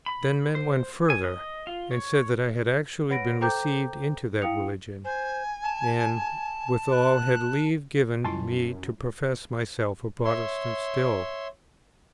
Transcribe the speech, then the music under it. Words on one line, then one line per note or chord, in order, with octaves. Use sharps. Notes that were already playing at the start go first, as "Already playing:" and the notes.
Then men went further, and said that I had actually been received into that religion, and withal had leave given me to profess myself a Protestant still.
B5
C5
G#5
D#5
F4
C#5
B4 C#5 F#5 B5 A#6 D7
A4 C5 G5 A#5 D6 G6
E4 F5 G5 D#6 C#7 F7
C5 G#5
A5
F#6
F#2 G3 E4 F4 G#5 A5 C6
C#5 E5 C6